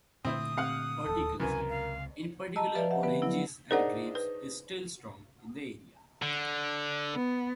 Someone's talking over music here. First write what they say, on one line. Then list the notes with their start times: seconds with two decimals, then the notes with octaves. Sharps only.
Horticulture, in particular oranges and grapes is still strong in the area.
0.25 A#2 D3 A3 C4 E4 C5 D#6
0.57 C3 F5 F#5
1.06 D1 D#2 A4
1.40 C#2 F#2 C3 E3 A#4 G#5
1.70 F5
2.56 D#5 A5 A#5 E6
2.75 F3 B4 D5 E5
2.90 G4 E5 F#5
3.03 D3 B3 B4
3.22 F#3 B3 E4
3.71 D4 D#4 G#4 A#4 C5 D5 F#5
4.15 B4
6.22 D3
7.14 B3